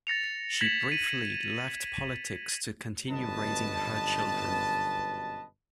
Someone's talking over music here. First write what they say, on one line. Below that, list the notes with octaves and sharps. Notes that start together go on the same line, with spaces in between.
She briefly left politics to continue raising her children.
A6 A#6 C#7 F7
G#6 A#6 B6 E7 F#7
D#7
G1 F#2 B2 B4 D#5 A5